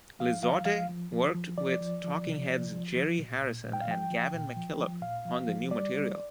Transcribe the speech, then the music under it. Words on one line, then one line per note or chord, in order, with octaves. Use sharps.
Lizotte worked with Talking Heads' Jerry Harrison and Gavin McKillop on the new material.
F3 F5
F3 F5
F3 F5
F3
F3
F3
F3 D5
F3
F3
C3
F3
F3
F3
A#2
A#2
A#2
G5
F5
F3 G5
F3
A#2
F3
F3
A#2 F5
F3
F3
G3 D5
G3